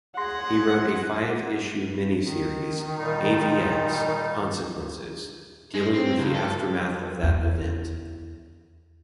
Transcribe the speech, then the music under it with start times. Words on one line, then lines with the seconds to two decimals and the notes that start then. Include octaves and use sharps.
He wrote a five-issue miniseries "AvX: Consequences", dealing with the aftermath of that event.
0.17 G#4 F#5 C6 A#6
2.23 D#3
2.98 A#2 G3 D#4
5.75 G#3
5.95 C4
6.19 C#2
6.35 A4
7.23 E2 E4